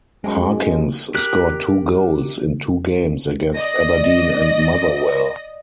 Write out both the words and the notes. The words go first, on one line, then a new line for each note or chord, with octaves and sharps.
Harkins scored two goals in two games against Aberdeen and Motherwell.
F#2 G#3
G4 A#4 F#6
D5 D#5 A#6